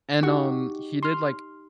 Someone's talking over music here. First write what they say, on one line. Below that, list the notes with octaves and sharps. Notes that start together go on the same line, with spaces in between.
And, um, he did like
D#4 F#4 G4 F#5 C#6
C6 F6